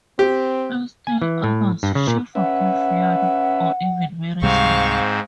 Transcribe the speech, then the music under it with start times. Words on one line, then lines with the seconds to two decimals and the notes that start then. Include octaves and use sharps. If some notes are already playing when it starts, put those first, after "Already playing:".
In still others she forgives Fionn, or even marries him.
0.19 C4 G4
1.07 G#5
1.22 E3
1.44 A2
1.83 G2
1.95 C#3
2.07 A#2
2.35 C#4 B4 E5 F#5
4.42 C#2 G#2 C3 G3 C4 F5 C#6